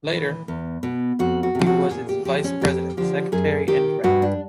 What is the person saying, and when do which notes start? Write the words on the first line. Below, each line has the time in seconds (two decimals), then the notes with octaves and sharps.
Later, he was its vice-president, secretary and a director.
0.12 E3
0.48 E2
0.83 B2
1.19 F2 F#4
1.43 F#4
1.55 C3 F3
1.66 F#4
1.91 A#2 G#4
2.09 G4
2.25 F3 G4
2.44 C#4
2.61 F2 G4
2.97 D3 F3 G4
3.32 F#2 G#4
3.68 D#3 G4
4.04 G2 F#4
4.22 D4